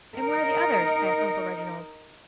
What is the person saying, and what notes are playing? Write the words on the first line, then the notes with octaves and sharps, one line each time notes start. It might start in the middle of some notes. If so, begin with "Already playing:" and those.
'And where are the others?' asked Uncle Reginald.
D#4 A#4